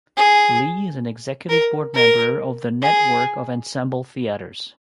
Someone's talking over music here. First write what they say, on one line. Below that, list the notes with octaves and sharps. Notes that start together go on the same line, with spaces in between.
Lee is an executive board member of the Network of Ensemble Theatres.
G#4
A#4
A#4
G#4